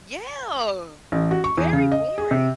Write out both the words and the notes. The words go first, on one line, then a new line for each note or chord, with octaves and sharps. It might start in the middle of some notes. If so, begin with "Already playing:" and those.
Yeah! Very boring.
A1
F#4
C#6
E2
C#3
D#5
G#4
C3